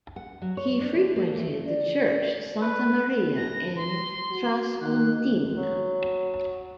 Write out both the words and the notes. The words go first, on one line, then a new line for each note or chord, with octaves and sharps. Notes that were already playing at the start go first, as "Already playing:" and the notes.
He frequented the church Santa Maria in Traspontina.
F#5
F#3
C#5
D4
D3
A#3
A3
D5
B4
A#6
C6
F#4
D#3 F#6
F#3